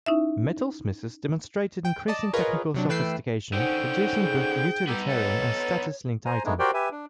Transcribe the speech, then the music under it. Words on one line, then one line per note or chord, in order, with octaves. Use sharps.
Metal smiths demonstrated increasing technical sophistication, producing both utilitarian and status-linked items.
C#4 D#4 E4 E5
G5
D5 D#5 A5
F4 G#4 A#4 B4 C#5 D#5
C3 F#3 D4
E3 A3 B4 G5 E6 C7
D3 C#4 D#4 C5 F#5 G5
G#4
G3 B3 D#4 G4 B4 E6
A4 B4 C#5
C5 G#5 A#5
G#3 A3 B3 D4 D#4 G#4
F#4 G4 A#4 C5 D5 G5
G4 B4 E5 G#5
D4